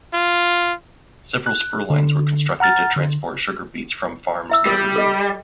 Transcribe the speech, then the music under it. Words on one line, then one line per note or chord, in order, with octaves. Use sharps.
Several spur lines were constructed to transport sugar beets from farms near the route.
F4
F#6
D3
F#5 A#5 F6 A6
D3
E4 E5 E6
G3 F4 A#4 D#6
A4 D#5